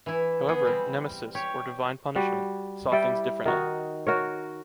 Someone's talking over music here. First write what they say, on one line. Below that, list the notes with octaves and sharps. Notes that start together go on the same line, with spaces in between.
However, Nemesis, or divine punishment, saw things differently.
E3 E4
B3 G#4
G3 C4
G4 C#5
G3 F#4
G3 E4 D5 G5
D#3 D#4 F#4
F#4 A#4 C#5